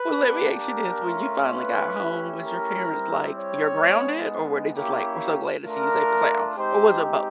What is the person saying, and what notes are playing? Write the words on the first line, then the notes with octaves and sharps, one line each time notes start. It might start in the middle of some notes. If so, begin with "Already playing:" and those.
Well, let me ask you this. When you finally got home with your parents, like, "You're grounded," or were they just like, "We're so glad to see you safe and sound," or was it both?
Already playing: B4
A#3 D4 G4
A#4
A3 C#4 F4
B4
A3 C#4 E4 G4
A#4
G3 C4 E4
C#5
G#3 B3 D#4
A#3 C#4 E4 G4
A3 D4 F4 A#4
G#3 C4 D#4 G4 C5